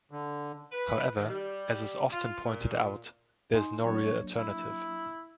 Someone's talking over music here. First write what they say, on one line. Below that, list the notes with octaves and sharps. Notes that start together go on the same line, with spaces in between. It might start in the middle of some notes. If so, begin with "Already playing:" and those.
However, as is often pointed out, there is no real alternative.
D3
B4
D#3
G3
F4
A#2
D#4 G#5 C6
F#3 A#3 D4 C#5
E4